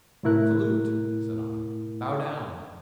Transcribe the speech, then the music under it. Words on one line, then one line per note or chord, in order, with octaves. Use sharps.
"Salute!" said I. "Bow down!"
A2 C3 A3 E4 A#4 F#6